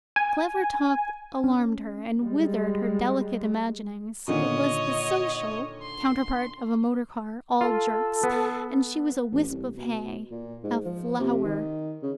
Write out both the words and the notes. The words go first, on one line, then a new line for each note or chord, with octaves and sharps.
Clever talk alarmed her, and withered her delicate imaginings; it was the social; counterpart of a motorcar, all jerks, and she was a wisp of hay, a flower.
G#5
C#4
G3 G#3
A#2 D3 D#3 C#5 D#5
C6
F4 A4
B3
A1
C2
B2
A#2
G#2
F3
C3
D#3
C#3